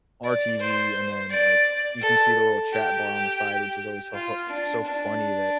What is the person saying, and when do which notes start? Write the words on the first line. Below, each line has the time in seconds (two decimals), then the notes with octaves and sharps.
on our TV, and then, like, you can see the little chat bar on the side, which is always so ho so funny that,
0.24 D5
0.59 C5
1.29 D5
2.01 A4
2.72 G4
4.14 F4
4.49 D4
4.85 D4